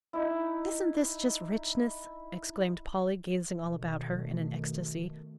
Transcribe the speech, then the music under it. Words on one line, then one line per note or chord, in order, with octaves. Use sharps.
"Isn't this just richness?" exclaimed Polly, gazing all about her in an ecstasy.
D#4 E4
B2 D#3 A3